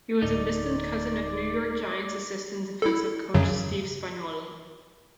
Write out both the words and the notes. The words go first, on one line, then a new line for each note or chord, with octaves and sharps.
He was the distant cousin of New York Giants assistant defensive coach Steve Spagnuolo.
D1 A2 D#4 D5 D#5
E4 A4
F#2 C#3 F#3